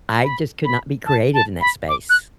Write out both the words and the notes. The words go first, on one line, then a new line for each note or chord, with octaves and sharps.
I just could not be creative in that space.
B5
B5
A5
A5
B5
D6
F#6